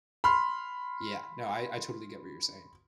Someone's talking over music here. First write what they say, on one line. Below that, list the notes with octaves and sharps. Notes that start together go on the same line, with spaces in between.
Yeah, no, I I totally get what you're saying.
B5 C6 F6